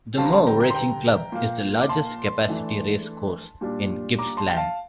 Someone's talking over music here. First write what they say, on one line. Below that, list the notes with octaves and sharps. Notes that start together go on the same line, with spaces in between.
The Moe Racing Club is the largest capacity racecourse in Gippsland.
D3 G3 C4 F5 A5
A#5
A5 C6
G5 A#5
G5 A#5
C6
G5 A#5
A#2 F3 A#3
D6
A5 C6
E3 A3 D4
A#2 G3 D4
A#5 D6
A5 C6
G5
F5 A5